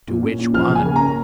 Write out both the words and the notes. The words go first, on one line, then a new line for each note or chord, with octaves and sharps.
"To which one?"
A#2
C#4
A#2
F3 F6
C#3
G#5
A#3
A#5
C#4